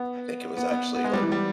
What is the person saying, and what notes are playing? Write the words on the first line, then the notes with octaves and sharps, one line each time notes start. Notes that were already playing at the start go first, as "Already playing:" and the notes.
I think it was actually, like
Already playing: B3
B3
B3
B3
G#3
G3
E3
G3